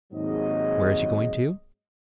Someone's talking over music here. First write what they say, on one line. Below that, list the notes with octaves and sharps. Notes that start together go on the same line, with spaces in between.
Where is he going to?
D#2 G#2 F#3 G#3 C4 D#5